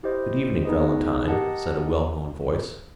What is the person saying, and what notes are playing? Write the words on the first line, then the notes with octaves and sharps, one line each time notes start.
"Good-evening, Valentine," said a well-known voice.
E4 G4 C5 D#5
B3 D#4 G#4 B4 D#5
G4 A#4 D#5 F#5 A5